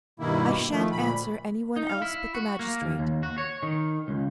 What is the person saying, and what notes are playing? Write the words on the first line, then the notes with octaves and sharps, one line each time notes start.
I shan't answer any one else but the magistrate.
G2 B2 D#3 A#3 E4
D#3 F3 A3
D2 A#2 B5
D#4
F5
E4
F#4
A#3
D#2
D#2
F#4
C#5
D#3
C#2